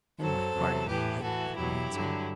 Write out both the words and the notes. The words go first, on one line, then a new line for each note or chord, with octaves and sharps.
"In my heart, more likely," he answered.
F#2 F#3 A4 C5
E2 C3 F#3
A2 E3 G4 B4
A2 E3 F#4 A4
E2 B2 F#3 E4 G4
G2 D3 F#3